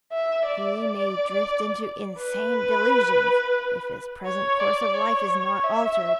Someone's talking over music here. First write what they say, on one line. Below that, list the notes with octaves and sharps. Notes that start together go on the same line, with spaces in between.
He may drift into insane delusions, if his present course of life is not altered.
E5
D5
B4
C#5
D5
C#5
C#5
E5